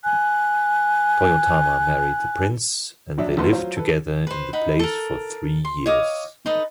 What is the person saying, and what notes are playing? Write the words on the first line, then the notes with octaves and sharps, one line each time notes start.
Toyotama married the prince, and they lived together in the place for three years.
G#5 F#6
A#1 F#3 D4 E5
F1 E2 E3 A3 B4 C6
F#3 F4 C5
A4 B4
B4 C5
D#4 F#5 B5
A4 A#4
C6
C#5 D#5 F5 D6
D#4 A4 B4 D#6